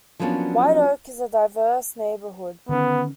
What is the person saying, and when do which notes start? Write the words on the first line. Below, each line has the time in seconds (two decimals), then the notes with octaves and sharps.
White Oak is a diverse neighborhood.
0.19 F3 F#3 A#3 B3 C#4 D4
2.69 D3 D#3 B3 C#4